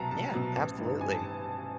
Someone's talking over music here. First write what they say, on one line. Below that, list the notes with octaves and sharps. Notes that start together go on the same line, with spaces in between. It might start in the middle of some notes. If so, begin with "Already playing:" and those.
Yeah, absolutely.
Already playing: C2 B2 F#3 A5 A#5
C2 A5
B2 F#3
A1
G2 D#3
A1 G#5
A5